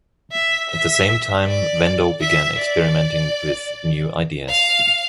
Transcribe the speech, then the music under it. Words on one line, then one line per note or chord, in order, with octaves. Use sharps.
At the same time, Vendo began experimenting with new ideas.
E5
E5
D5
E5
D5
F5